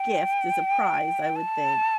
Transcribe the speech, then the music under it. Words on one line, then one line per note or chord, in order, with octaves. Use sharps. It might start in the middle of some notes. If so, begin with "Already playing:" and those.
gift, is a prize, I would think,
Already playing: G5
A5